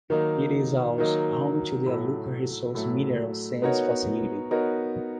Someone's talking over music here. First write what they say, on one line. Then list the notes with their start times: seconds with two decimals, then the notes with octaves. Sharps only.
It is also home to the Iluka Resources mineral sands facility.
0.10 D#3 F#3 A#3 D#4
0.98 D#3 F#3 A#3 D#4
1.86 A2 F#3 A3
2.75 A2 F#3 A3
3.62 B3 D#4 F#4 A#4 C#5
4.51 B3 D#4 F#4 A#4 C#5